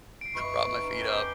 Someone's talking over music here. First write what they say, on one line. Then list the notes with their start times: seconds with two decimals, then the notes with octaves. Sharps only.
prop my feet up,
0.21 C7 D7
0.35 F#2 B4 D#5 E5 C#6
0.75 E2 C#4 D#4
0.99 G4 G7